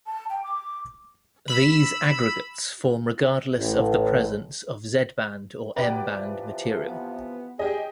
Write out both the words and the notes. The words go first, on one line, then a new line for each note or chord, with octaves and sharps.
These aggregates form regardless of the presence of Z band or M band material.
A5
G5
D6
B5 E6
A1
F#2 B3 G4 B4 D5
C3 E3 F3
B3
G4 G#4 D#5